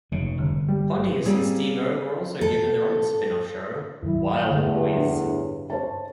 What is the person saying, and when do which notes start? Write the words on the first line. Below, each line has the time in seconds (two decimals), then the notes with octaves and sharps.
Pontius and Steve-O were also given their own spin-off show "Wildboyz".
0.12 F1 C#3
0.38 G1
0.68 G3
1.25 G3 A#3 C4 C#4 G#4
2.41 A4
4.03 G2 D#3 F#3 E4
4.50 E2 A2 D3
4.94 G2
5.70 C5 C#5 A5